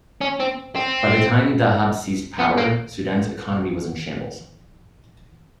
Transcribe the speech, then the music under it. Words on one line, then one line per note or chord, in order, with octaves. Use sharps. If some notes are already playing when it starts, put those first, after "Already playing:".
By the time Dhahab seized power, Sudan's economy was in shambles.
C#4
C4
C4
B3
A#3